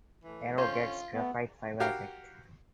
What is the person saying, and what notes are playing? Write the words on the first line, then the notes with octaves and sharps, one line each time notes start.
Aero gets graphite fiber effect.
A2 E3
D3 C#4 F4 C5
A3 B3
F#4 G4 A#4 F5 G5